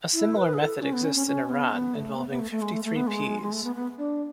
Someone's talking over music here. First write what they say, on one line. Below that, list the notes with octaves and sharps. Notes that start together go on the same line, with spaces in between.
A similar method exists in Iran, involving fifty-three peas.
E4
B4
G#4
A4
C#4
B3
C#4
C#4
C#4
B3
B3
A3
B3
B3
A3
A3
G#3
A3
A3
B3
G#3
G#3
A3
B3
B3
D4